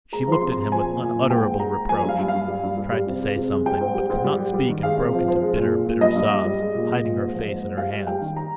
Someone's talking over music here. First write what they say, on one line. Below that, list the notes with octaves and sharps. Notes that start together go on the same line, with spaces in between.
She looked at him with unutterable reproach, tried to say something, but could not speak and broke into bitter, bitter sobs, hiding her face in her hands.
G#3 A#5
F3
C6
C3
A#5
G#3
F3 G#5
A#2
A#2
A#2
G#2 G5
G#2
G#3 A#5
G#3
F3 G#5
G2 F5
G2
F5
G2
G3
G2
G3
G3
C3
G#3
C3
G#3
G3 G5
G#2
G3
G#2
G3
G3
G3
D#3
G#3 F5
C3
F3
F3
G#3
A#2
A#2
A#2
G2 D#5
G2
G2
G3
G#3
A#2
A#2
A#2
G#2
F3
G#2
G#2
G3 F5
G3
G3 G5
D#3
A#5